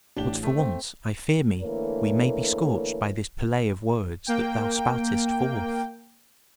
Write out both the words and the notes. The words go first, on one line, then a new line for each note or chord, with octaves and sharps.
"But for once I fear me we may be scorched by this Pelee of words that thou spoutest forth."
A1 D4 G4 G7
A3
C4
D3 E3 A3 A#3 A#4 C#5
A#3 G5